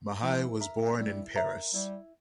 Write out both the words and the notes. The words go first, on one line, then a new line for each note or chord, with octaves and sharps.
Mahy was borne in Paris.
F3 E4
A#4 E5 A#5
G3 E4
A#4 E5 A#5
G3 E4